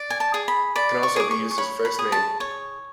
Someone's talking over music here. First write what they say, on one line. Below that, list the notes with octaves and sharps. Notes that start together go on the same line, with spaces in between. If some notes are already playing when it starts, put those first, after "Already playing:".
It can also be used as a first name.
Already playing: D5
G#5
A5
G#4
B5
D5 B5
C#6
G#4 D6
C#6
C#6
C#5 B5
B5
G#4
A5
C#5